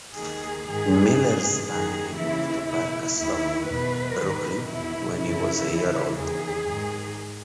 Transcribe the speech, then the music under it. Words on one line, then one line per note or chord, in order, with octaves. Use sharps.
Miller's family moved to Park Slope, Brooklyn when he was a year old.
D#2 D#3 G#4
G#2 D#3 G#4
G#2 E3
F#2 D#3 G#4
D#2 C#3 E3 E4
E2 B2 E4
D#2 D#3 E4
E2 B2 B4
G#2 D#3
E2 B2 E4
F#2 C#3 E3 E4
E2 C#3 E3
E2 D#3 G#4
G#2 D#3